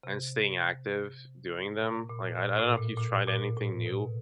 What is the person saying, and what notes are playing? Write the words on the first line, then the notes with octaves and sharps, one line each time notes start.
and staying active doing them. Like, I d I don't know if you've tried anything new,
C3
A#2
A#2
A#2
A2
A#2
A#2
A#2
A2
B2